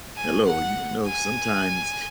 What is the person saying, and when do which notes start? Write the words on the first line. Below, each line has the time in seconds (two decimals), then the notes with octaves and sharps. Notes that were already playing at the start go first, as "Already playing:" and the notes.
Hello, you know, sometimes,
0.17 G#5
0.47 F#5
1.06 G#5